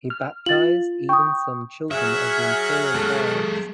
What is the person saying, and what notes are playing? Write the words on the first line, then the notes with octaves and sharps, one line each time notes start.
He baptised even some children of the Imperial Guards.
F6
F4 A6 F#7
G5 C#6 D#6
F#3 G#4 C#5 E5 F#5 F6
G#3 A4